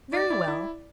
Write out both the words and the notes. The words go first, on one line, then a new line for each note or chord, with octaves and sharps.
Very well.
D#4 D5
E4
E4